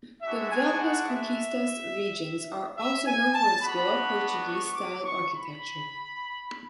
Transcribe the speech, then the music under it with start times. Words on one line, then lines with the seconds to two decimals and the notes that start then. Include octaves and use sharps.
The Velhas Conquistas regions are also known for its Goa-Portuguese style architecture.
0.22 G#3 D4 F#4 E5
0.51 G#5
0.79 F#5
1.07 E5
2.77 E5
3.05 G#5
3.34 A5
3.62 B3 D4 F#4 B5
4.46 C#6
4.75 D6
5.03 C#6
5.32 B5